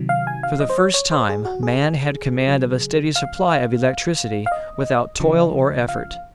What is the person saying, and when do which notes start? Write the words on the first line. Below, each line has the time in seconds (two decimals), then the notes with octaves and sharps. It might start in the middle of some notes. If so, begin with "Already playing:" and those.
For the first time man had command of a steady supply of electricity without toil or effort.
Already playing: C3 D#3 F#3
0.09 F5
0.27 G#5
0.43 F5
0.60 D#5
0.70 C5
0.78 C#5
0.94 C#5
1.11 C5
1.29 G#4
1.45 F#4
1.63 G#4
2.47 C#3 F#3
3.16 F5
4.46 F5
4.52 D#5
5.20 C#3 F3
5.88 F5